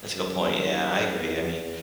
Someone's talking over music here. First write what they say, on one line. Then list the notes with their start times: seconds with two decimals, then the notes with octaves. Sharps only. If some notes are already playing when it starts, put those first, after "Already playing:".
That's a good point, yeah, I agree. I mean
0.14 F#2
1.19 E2